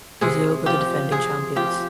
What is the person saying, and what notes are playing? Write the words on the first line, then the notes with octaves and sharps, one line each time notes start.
Brazil were the defending champions.
C3 G#4
F3 G4
C3 G#4
F3 G4